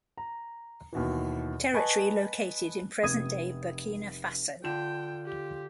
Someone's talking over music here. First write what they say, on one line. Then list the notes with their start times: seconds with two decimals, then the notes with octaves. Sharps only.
Territory located in present-day Burkina Faso.
0.18 A#5
0.93 D#2 B2 E3
1.74 B4 D#5 G#5 A5 B5 C#6
3.03 F1 D#6 G#6 D#7
4.64 D3 F4 G5 E7
5.26 G4